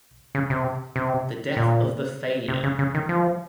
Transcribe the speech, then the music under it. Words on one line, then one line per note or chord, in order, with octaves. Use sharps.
The death of the failure!
C#3
C3
C3
A#2
C3
C#3
C#3
D#3
F3